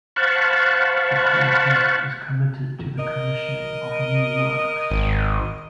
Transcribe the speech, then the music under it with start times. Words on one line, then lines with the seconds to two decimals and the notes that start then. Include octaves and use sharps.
The quartet is committed to the commissioning of new works.
0.16 C5 F5 F#5 A5 B5 C#6
2.97 A#4 D#5
4.91 G#1